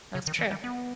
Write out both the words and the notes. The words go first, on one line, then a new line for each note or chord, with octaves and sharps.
That's true.
C#3
D#3
E3
G3
B3